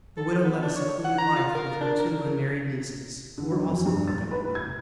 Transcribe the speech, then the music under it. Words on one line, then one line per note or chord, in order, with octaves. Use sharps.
The widow led a secluded life with her two unmarried nieces, who were also elderly women.
A4
B3
D4
C#5
F#5
A#5
F4
A#4
D4
A#4
D3
F#3
F2
G2
A6
B4
G#6